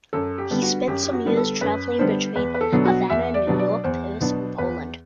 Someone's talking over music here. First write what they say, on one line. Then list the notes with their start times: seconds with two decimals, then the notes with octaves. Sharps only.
He spent some years travelling between Havana, New York, Paris and Poland.
0.13 F#2 A4
0.38 G4
0.50 D3 G3 B3 D4
0.62 F#4
0.88 F#2 G4
1.03 G4
1.13 F#4
1.25 D3 G3 B3 D4
1.37 A4
1.61 F#2 B4
1.99 D3 G3 B3 D4 C5
2.35 E2 B4
2.54 B4
2.61 A4
2.72 B2 F#3 B3 D4
2.85 F#4
3.10 E2 E5
3.34 D5
3.47 B2 F#3 B3 D4
3.59 D5
3.84 E2 C5
4.20 B2 F#3 B3 D4
4.58 E2 B4